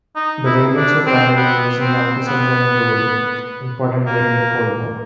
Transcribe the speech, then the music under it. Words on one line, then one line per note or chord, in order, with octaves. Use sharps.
The "Valiant"s were primarily used in the anti-submarine role, important during the Cold War.
D#4
E4
D4
C4
B3
C4
B3
A#3